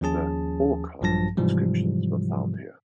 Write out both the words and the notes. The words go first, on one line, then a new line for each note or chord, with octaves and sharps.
The Orkhon inscriptions were found here.
D#2 F3 C#4 G#4 A5
A#1 G2 F3 F#3 A5 A#6
G#2 C3 E3 F3 G3